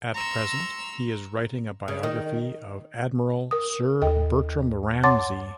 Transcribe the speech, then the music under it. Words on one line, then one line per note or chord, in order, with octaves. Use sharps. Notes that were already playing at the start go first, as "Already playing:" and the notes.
At present, he is writing a biography of Admiral Sir Bertram Ramsay.
A#5 C6 C#6 E6
C#3
D#3
A#4 D#6
D#2 A4 D#5 G5
C#5 F#5 A5 C6 D6 A6